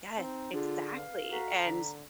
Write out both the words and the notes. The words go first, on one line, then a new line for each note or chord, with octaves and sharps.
yes, exactly, and
C4 D#4
D3 D4 F4 G#4
B4 F5
F#4 A4 A#5 B6 C7
D3